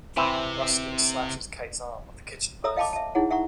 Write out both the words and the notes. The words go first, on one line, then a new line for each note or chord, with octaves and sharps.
Ruskin slashes Kate's arm with a kitchen knife.
C3 E3 C4
A4 C#5 E5 A#5 D#6 E6
D#5 F5 G5 A5 B5 D6
E5 A5
D#4 E4 G#4 C#5 F#5
E5 F#5 A#5 C#6